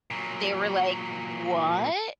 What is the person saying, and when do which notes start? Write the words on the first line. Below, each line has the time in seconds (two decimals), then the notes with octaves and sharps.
They were like, "What?"
0.10 A#2 F#3